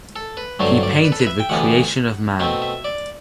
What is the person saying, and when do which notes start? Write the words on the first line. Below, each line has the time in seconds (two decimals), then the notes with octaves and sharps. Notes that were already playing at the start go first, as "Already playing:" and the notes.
He painted the Creation of Man.
0.16 A4
0.37 B4
0.59 G2 D3 F#3 A3 C5
0.83 D5
1.04 B4
1.12 A4
1.20 B4
1.27 E5
1.40 G5
1.49 D2 C3 E3 B3 D4 F#5
2.40 B2 A3 C4 E5
2.62 E5
2.84 D5